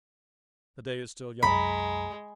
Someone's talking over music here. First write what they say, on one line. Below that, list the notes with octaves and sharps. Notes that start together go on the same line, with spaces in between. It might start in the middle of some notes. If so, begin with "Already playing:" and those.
The day is still young.
C2 F#2 G#3 A#5 B5